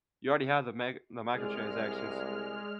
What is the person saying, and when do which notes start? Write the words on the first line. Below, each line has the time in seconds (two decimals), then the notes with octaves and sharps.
you already have the meg the microtransactions,
1.34 C2 G#3 G#4 D5 F6